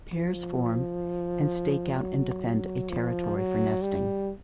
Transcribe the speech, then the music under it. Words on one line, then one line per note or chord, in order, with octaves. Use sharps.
Pairs form, and stake out and defend a territory for nesting.
F3
F#3
F3
F#3
G3